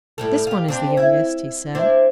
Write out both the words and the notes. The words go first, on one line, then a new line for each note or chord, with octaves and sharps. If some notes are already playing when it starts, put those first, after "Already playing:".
'This one is the youngest,' he said.
A2 G3 A4
F4 G4
C4 D4 G4
E4
C4 D4 E4